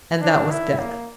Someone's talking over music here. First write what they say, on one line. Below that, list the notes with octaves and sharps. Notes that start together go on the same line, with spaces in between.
And that was death!
D4
E4
A#3